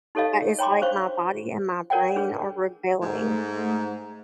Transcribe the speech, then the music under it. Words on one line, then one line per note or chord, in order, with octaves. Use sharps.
but it's like my body and my brain are rebelling
D#4 G4 A4 C#5 D#5 F5
C#5 G5 A#5 C6 D6
D4 C5 C#5 F5 C#6
A#4 C#5 D5 F#5 G5
D4 G#4 B4 C#5
G#2 A3